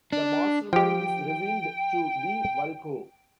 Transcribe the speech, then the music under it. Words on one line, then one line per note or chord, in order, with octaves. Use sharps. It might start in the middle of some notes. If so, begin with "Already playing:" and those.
The mastermind is revealed to be Vulko.
D4
F3 G4 G5